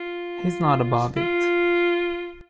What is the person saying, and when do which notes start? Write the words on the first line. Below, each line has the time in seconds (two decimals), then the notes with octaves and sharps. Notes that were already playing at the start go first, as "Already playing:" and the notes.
He's not above it.
Already playing: F4
1.16 F4